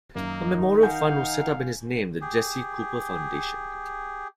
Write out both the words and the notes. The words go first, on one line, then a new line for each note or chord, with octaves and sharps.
A memorial fund was set up in his name, the Jesse Cooper Foundation.
F#2 D#3 A#3 D#4
F5 F#5 G#5 G6
G4 G#4